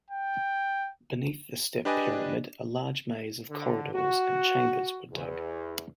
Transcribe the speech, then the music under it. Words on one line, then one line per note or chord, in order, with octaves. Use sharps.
Beneath the step pyramid, a large maze of corridors and chambers were dug.
G5
D4 G4 B4 D5 D#5 G#5
D3
F#4
E2